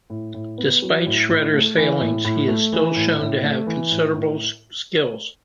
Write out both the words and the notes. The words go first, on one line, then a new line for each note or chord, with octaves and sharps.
Despite Shredder's failings, he is still shown to have considerable skills.
A2
A2
B3
F#3
A2
A2
A3
E3
A2
A2
A3
E3
A2
A2
A3
E3
A2
A2